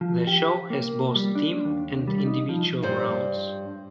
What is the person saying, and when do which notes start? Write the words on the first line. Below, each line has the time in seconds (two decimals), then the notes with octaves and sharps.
The show has both team and individual rounds.
0.01 F3
0.27 G4
0.70 A#3
1.15 G3
1.35 D4
1.65 D#2
2.08 G3
2.25 D#4
2.49 F3
2.82 G2 G3 C5